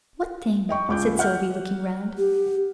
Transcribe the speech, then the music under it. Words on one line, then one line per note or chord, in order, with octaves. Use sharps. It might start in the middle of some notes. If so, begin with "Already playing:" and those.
"What thing?" said Sylvie, looking round.
D#5 G5 C#6
C#2 D6 G6
F#5 F6 G6
G4